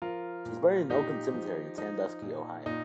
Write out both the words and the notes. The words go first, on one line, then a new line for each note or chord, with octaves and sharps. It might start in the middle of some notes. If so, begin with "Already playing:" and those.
She is buried in Oakland Cemetery in Sandusky, Ohio.
F3 F4 A#4
A#2
A#2 D#4 G4
F3
F3 D#4
A#2
A#2 D#4